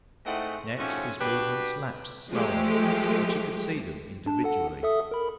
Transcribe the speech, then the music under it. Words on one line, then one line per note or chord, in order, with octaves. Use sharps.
Next, his movements lapsed slower, and she could see them individually.
G#2 A3 C4 E4 D#5 F#5
G#2 F3 A3 C#4 F#4 G4
D4 F#4 G4 B4
F3 G#3 A3 G4
D4 A5
A4 F#5
A4 E5 D#6
A#4 B5